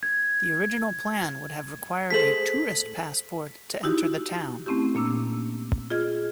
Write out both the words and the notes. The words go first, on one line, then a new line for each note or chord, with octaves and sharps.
The original plan would have required a "tourist passport" to enter the town.
G#6
G#4 A4 C5 B6 F#7
D#4 E4 F#4 G4
A3 C4 C#4 E4 G4
A#2 A#3 D4 E6
F4 G#4 D#5 F6 G#6